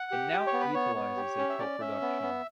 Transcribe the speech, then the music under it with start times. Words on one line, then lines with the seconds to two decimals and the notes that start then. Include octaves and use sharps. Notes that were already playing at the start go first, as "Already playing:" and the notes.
It now utilizes a co-production.
Already playing: F#5
0.11 G4
0.32 G4
0.47 C#5
0.53 B3
0.60 B4
0.74 B3 C#5
0.96 B3
1.17 G4
1.38 C#4
1.49 E5
1.59 C#4 D5
1.80 C#4 E5
2.02 B3
2.22 B3